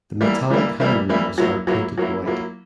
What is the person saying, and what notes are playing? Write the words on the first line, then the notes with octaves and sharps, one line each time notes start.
The metallic handrails are painted white.
E3 G3 A#3 E4
E3 G3 A#3 E4
E3 G3 A#3 E4
E3 G3 A#3 E4
F#3 A#3 E4
F#3 A#3 E4
F#3 A#3 E4
F#3 A#3 E4